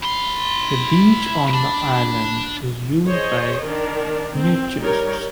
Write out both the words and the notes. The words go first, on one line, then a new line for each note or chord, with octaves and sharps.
A beach on the island is used by naturists.
E4 B5 C6
D4
G#4 C5 C#5 D#5
D#3 D4 A#4
C4
G3 D#4 A#4 C#5